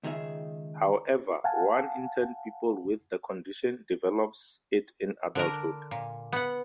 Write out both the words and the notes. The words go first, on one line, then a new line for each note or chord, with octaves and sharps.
However, one in ten people with the condition develops it in adulthood.
C#2 D#3 D#4 G#4 E5
F5 F#5 G#5 A5
D3 D4 A#4
A#2
B3 F#5